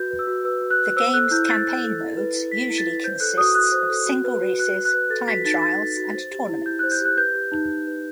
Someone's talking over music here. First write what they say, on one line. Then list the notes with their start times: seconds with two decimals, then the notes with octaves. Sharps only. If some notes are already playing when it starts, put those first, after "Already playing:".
The games' campaign modes usually consists of single races, time trials, and tournaments.
Already playing: F#4 B4 G6
0.11 B4
0.19 E6
0.27 F#4
0.44 B4 E6
0.62 F#4
0.70 F#6
0.79 B4
0.96 C5 E6
1.13 A4 F#6
1.31 E4 G6
1.48 E4 A6
1.66 C5
1.84 A4
2.00 E4
2.17 B4
2.35 E4
2.51 B4 B6
2.69 E4
2.78 A6
2.87 B4
3.03 C5 G6
3.20 A4 F#6
3.38 F#4 D#6
3.55 F#4 F#6
3.72 C5
3.89 A4
4.06 F#4
4.24 B4
4.41 F#4
4.59 B4 F#6
4.76 F#4
4.85 F#6
4.94 B4
5.10 A4 A6
5.27 F#4 B6
5.45 D#4 A6
5.62 D#4 A6
5.80 A4
5.97 F#4
6.15 C5
6.31 G4
6.49 E4
6.66 E4 G6
6.79 C5 F#6
6.92 G6
7.01 G4 F#6
7.17 B4 G6
7.35 G4
7.52 D#4
7.69 D#4
7.87 B4